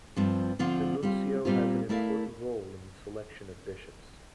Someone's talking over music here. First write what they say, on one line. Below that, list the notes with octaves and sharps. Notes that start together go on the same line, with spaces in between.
The nuncio has an important role in the selection of bishops.
G2 F3 C4
D3 F3 C4 F4
G3 C4 F4
A#2 G3 C4 F4
A3 E4 A#4 D5 F5